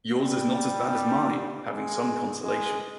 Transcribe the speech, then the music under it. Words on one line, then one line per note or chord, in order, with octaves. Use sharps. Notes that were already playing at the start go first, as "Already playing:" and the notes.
Yours is not as bad as mine, having some consolation.
G3
G#3
G#3